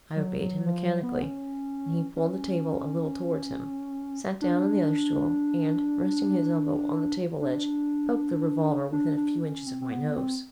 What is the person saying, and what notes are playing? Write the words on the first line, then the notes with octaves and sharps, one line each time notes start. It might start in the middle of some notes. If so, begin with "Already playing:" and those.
I obeyed him mechanically, and he pulled the table a little towards him, sat down on the other stool, and, resting his elbow on the table ledge, poked the revolver within a few inches of my nose.
F#3
F#3
F3
F#3
B3
C#4
C#4
D4
D4
D4
D4
C#4
C4
C4
B3
C4